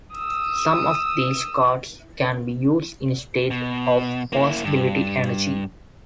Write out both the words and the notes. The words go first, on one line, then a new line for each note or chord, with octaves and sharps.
Some of these cards can be used instead of Possibility energy.
D#6 E6
B2
A#3 E4
G2